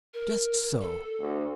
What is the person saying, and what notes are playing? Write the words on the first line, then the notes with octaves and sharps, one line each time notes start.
Just so.
A#4
A4
D2